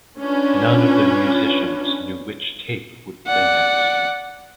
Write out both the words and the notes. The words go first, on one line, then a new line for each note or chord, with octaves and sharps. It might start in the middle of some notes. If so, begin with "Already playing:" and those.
None of the musicians knew which tape would play next.
C#4 D4 F4 B4
D5 F#5